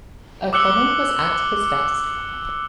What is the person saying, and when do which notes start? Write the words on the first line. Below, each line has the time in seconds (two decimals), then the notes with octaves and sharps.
O’Connell was at his desk.
0.53 D6 E6 F#6 C#7 G7